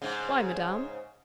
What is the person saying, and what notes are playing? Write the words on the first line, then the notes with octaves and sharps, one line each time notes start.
"Why, madame?"
G#2 C#3